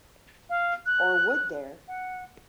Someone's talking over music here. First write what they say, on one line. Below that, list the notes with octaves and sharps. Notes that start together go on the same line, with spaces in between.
Or would there?
F5
F#6
F#5